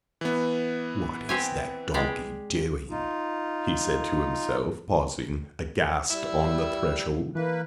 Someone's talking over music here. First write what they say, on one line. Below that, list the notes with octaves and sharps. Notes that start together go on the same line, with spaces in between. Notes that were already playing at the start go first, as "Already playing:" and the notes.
"What is that donkey doing?" he said to himself, pausing, aghast, on the threshold.
E3 B3
C4 G4 G#5
G#3 G4 D5
D#4 F4
G3 E4 E6
E3 A#3 B4